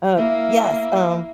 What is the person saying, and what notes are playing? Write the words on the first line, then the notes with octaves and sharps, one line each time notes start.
Oh, yes, um
A#3 E4